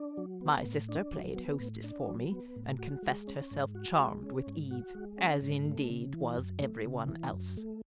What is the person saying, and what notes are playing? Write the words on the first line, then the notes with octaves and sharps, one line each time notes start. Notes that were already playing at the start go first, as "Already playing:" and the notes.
My sister played hostess for me and confessed herself charmed with Eve, as indeed was every one else.
Already playing: D4
F#3
B3
A2
D4
F#3
B3
A2
D4
F#3
B3
A2
F#4
G#3
C#4
G#2
F#4
G#3
C#4
G#2
F#4
G#3
C#4
G#2
A3
C#3
E3
F#2
A3
C#3
E3
F#2
A3